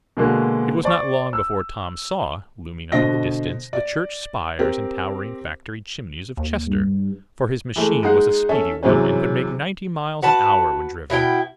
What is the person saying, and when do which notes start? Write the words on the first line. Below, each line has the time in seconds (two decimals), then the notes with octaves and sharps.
It was not long before Tom saw, looming up in the distance the church spires and towering factory chimneys of Chester, for his machine was a speedy one, and could make ninety miles an hour when driven.
0.17 B2 D3 G#3 A#3 D4 F#4
0.83 C5 D5 C#6
1.33 E6
2.92 B2 D3 C5 D#5 A#6
3.73 D5
4.59 C4 G4 A#4
6.37 D#2
6.66 G2
7.76 E3 G#3 A3
8.03 G#3 D#4 F#5 C7
8.49 C#4 A4 E5
8.83 C3 E3 F#3 G#3 C4 C#4
10.22 F#4 B4 A5
11.10 B2 E4 G#4 G5